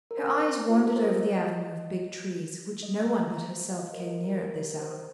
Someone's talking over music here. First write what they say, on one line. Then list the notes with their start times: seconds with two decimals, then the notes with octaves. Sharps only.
Her eyes wandered over the avenue of big trees, which no one but herself came near at this hour.
0.11 A#4
0.17 C5
0.69 F4
0.77 G4
0.87 A#4
0.96 C5
1.06 D#5
2.83 D#5
3.05 A#5
3.49 C5
3.70 F5
3.78 D#5
3.86 C5
3.93 A#4
4.00 G4
4.25 A#4
4.30 G4
4.60 A#4
4.81 C5